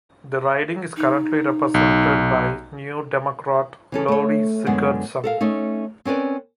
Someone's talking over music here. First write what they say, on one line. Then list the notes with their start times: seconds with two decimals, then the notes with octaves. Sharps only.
The riding is currently represented by New Democrat Lori Sigurdson.
0.97 D#4
1.74 B1
3.92 E3 C#4 A4
4.08 A3 C#5
4.66 F#2 D3 G#3 B3 F#5
5.24 A4 A#4 F5
5.41 A3 C#4 D#4
6.05 C4 C#4 A#4 B4 D5